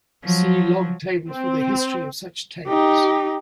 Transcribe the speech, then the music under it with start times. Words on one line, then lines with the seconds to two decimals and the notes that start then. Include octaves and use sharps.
See log table for the history of such tables.
0.24 F3 F#3
1.30 C4
2.68 D#4 G4